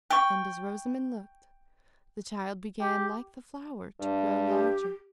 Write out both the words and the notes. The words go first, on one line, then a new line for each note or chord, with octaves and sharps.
And as Rosamond looked, the child began, like the flower, to grow larger.
G5 C#6
G4
G2
G4